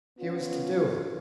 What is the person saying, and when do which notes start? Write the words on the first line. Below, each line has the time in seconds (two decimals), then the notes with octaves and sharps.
He was to do it.
0.19 B3 C#4 F4